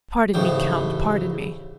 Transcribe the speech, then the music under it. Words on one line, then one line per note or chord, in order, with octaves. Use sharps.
"Pardon me, count, pardon me."
A1 G#2 C#3 E3 G5